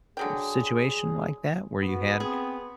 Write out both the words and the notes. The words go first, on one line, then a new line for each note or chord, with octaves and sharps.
situation like that, where you had,
D3 F#3 G#4 G5
B3 F#4
C4 G#4